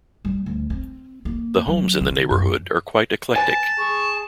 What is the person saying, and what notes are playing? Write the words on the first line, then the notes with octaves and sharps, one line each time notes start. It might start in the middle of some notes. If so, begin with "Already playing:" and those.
The homes in the neighborhood are quite eclectic.
G3
D2
C4
A#3
F#3
D3
F#2
B4 G#5 A5
G#4 C#6